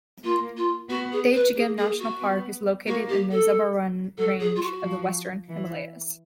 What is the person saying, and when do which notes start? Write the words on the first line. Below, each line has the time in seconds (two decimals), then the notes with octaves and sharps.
Dachigam National park is located in the Zabarwan Range of the western Himalayas.
0.23 A#3 F4
0.56 F4
0.89 B3 F#4
1.12 G#4
1.34 B4
1.55 A#3 G#4
1.78 G#4
1.99 F#4
2.21 B3
2.87 A#3 F#4
3.08 G4
3.31 A4
4.17 F#3 A4
4.40 G#4
4.55 F4
4.62 F#4
4.83 F3
5.49 E3